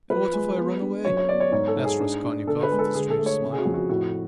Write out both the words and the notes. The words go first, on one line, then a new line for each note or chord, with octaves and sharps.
"And what if I run away?" asked Raskolnikov with a strange smile.
F3 B4
G#3
B3
D4
F#2 C#5
C#5
B3 D5
C#5
G#2 C#5
A4
G#2
G#4
D4
D4
D3 A4
B4
G#3
A4
D3 G#4
A4
A3
C#5
C#3
G#4
F#4
F2
F#4
A2 F#4